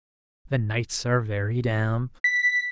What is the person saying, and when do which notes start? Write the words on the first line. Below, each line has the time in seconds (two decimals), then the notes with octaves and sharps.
"The nights are very damp!"
2.24 B6